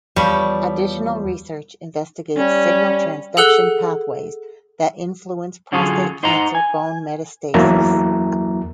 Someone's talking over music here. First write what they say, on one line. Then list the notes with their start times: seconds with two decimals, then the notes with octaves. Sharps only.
Additional research investigates signal transduction pathways that influence prostate cancer bone metastasis.
0.16 E2 F3 G3 B4 C#5
2.37 G3 C#4
3.37 G#4 A4 F#5 E6 F#6 G7
5.72 D3 F#3 C#4 F4 G#4
6.23 D#4 C5 D#5 F#5 A#5
6.55 G#5
7.54 E2 F#3 A#3 E4 A#5